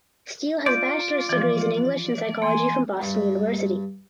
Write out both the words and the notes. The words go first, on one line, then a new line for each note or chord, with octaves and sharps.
Steele has bachelor’s degrees in English and psychology from Boston University.
F4 D5 C6 G6
E3 F3
E3 A#3 G#5 C6
G2